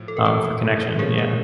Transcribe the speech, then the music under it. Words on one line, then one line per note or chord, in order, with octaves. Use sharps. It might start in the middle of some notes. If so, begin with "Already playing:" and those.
um, for connection, yeah.
Already playing: A2 F3
A4
A#4
A4 B4
F3 G#3 C#4 G#4 A#4
G#4 A#4